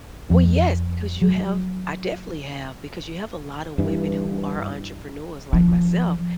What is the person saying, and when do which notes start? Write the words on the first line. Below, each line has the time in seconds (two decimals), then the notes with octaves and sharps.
Well, yes, because you have I definitely have, because you have a lot of women who are entrepreneurs, like myself,
0.30 F2
1.22 F#3
3.78 G2 E3
5.53 F3